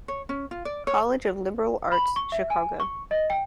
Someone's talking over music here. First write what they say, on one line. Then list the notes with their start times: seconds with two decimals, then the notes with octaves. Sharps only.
College of Liberal Arts, Chicago.
0.08 C#5
0.29 C#4
0.51 F4
0.65 D5
0.87 C#5
1.92 B5
2.16 C#6
2.32 E5
2.50 G#5
2.80 C#6
3.11 D#5
3.30 G5